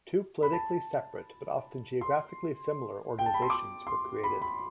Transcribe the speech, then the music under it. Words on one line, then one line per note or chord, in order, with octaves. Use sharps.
Two politically separate but often geographically similar organizations were created.
B5
A5
C6
G5
A5
B5
C6
D6
C6
B5
B5